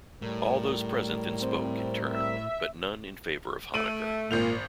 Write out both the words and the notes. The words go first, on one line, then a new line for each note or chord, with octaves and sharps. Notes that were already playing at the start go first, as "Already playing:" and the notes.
All those present then spoke, in turn, but none in favour of Honecker.
A2 G3 A#4
C4
E5
A3 D7 D#7 F#7
G#1 A#2 G6 F7